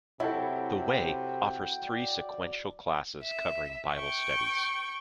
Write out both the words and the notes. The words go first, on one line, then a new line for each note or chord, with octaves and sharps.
The Way offers three sequential classes covering bible studies.
C3 F#3 E4 A4 G5
D5
E5
G5 C#6